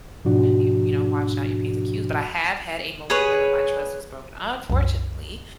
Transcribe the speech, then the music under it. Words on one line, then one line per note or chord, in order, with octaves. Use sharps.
you you know, watching out your Ps and Qs. But I have had a moment when m my trust was broken, unfortunately,
G#2 B2 F3 D4 F#4
G#4 B4 C#5
C2 F#2